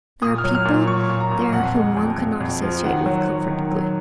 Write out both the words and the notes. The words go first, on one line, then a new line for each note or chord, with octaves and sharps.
There are people there whom one could not associate with comfortably.
A#2 D#6
F6
F#3
F6
A#2
F#3 C#6
A#2
A#5
A#2
F2 F#5
G#3
F2
F2
F2
F3
D#3 F#5
F#3
F#3
D#3
F#3